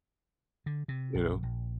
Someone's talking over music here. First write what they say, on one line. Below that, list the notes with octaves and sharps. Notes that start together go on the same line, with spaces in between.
you know,
D3
C3
A#1
A#1